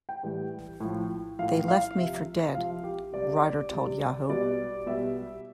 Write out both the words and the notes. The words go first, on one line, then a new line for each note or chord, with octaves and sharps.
They left me for dead, Rider told Yahoo!
G5
A2 E3 G3
A2 F3
A2 F3 F5
F5
C3 F3 E5
C3 F3 F5
G4
C3 G3 D5
C3 G3
B2 G3 D5
B2 G3 E5